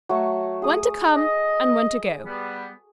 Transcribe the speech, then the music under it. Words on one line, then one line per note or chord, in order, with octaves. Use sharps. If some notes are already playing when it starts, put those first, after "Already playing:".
One to come, and one to go.'
F#3 A3 C#6
G#4 D#6
D#5
G3 B3